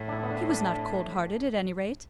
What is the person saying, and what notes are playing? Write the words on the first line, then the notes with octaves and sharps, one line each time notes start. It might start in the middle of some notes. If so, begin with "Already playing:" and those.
He was not cold-hearted, at any rate.
Already playing: A2
D4
E4
B3
D4
D4